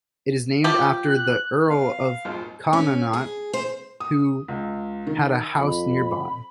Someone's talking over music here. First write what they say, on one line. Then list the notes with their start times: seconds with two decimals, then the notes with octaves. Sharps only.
It is named after the Earl of Connaught who had a house nearby.
0.64 F3 G4
1.06 F#6
1.70 B3 F5
2.25 G#1 D#2 A#2
2.73 C#4
3.13 G#4
3.53 C5
4.00 D#6
4.48 C#2
5.07 D#3
5.53 F2 B5